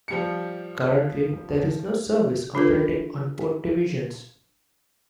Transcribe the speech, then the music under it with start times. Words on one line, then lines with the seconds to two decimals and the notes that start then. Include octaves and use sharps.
Currently, there is no service operating on both divisions.
0.08 F3 G3 C#7
2.55 D4 F4 A4 B4